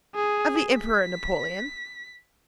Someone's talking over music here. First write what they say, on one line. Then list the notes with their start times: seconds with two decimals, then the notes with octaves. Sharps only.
Of the Emperor Napoleon?
0.15 G#4
0.80 B6